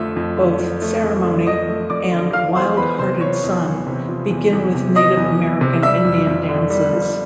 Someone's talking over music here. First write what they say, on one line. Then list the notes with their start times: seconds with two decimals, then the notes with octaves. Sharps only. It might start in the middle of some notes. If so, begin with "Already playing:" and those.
Both "Ceremony" and "Wild Hearted Son" begin with Native American Indian dances.
Already playing: F2 D3 F3 A3 E5
0.16 F2
0.37 D3
0.60 F3
0.82 A3
1.03 F2
1.25 D3
1.47 F3 D#5 D#6
1.69 A3
1.90 F2 D5 D6
2.12 D3
2.33 F3 F5 F6
2.56 E2 C5 C6
2.77 E2 B4 B5
2.99 C3 C5 C6
3.21 F3 C#5 C#6
3.43 E2
3.65 E2
3.86 C3
4.08 F3
4.30 E2
4.52 E2
4.75 C3
4.96 F3 D#5 D#6
5.17 E2
5.40 E2
5.61 C3
5.83 G3 E5 E6
6.05 F2
6.27 F2
6.48 D3
6.70 G3
6.93 F2